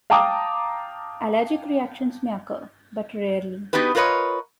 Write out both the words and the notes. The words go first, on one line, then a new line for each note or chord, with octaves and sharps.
Allergic reactions may occur, but rarely.
F5 G5 A5 A#5 D6 D#6
B3 D#4 F#4 G4 B4
F4 A#4 B4 C#5 D#5